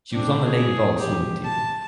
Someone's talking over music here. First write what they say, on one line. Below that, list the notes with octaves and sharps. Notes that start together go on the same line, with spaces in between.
She was on the Lady Vols swimming team.
C4 D4
G#4
G4
A5